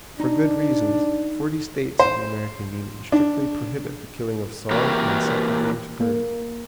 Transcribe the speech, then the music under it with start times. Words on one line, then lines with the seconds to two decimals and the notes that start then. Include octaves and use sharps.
For good reasons, forty states of the American Union strictly prohibit the killing of song and insectivorous birds.
0.20 D4 D#4 A#5
1.99 C5
3.12 D4
4.71 E3 A#3 F#4 G4 A#4 B4
6.00 A#3